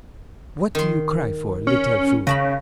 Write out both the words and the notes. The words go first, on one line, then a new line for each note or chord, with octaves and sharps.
What do you cry for, little fool?'
D#3 C6
C#4
C#3 D#5 A5 B5